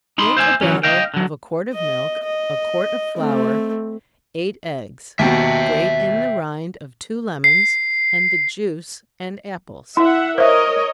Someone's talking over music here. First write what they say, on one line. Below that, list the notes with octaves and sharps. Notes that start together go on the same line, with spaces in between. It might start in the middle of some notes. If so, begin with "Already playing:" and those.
Make a batter of a quart of milk, a quart of flour, eight eggs--grate in the rind of two lemons, and the juice and apples.
D#4 B5 C6
C5 E5 F5 G#5
E3 F#3 C#4
D#5 F5 G5
D3 F#3
D#5
D#5
A3 C4
D#2 B2 E5 G5
C7
E4 E5 F#5
A#4 C5 C#5 D#5 E5